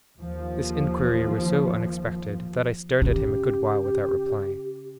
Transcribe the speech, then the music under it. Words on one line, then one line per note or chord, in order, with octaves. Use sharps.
This inquiry was so unexpected that I stared at him a good while without replying.
D#2 F3
C#3 G4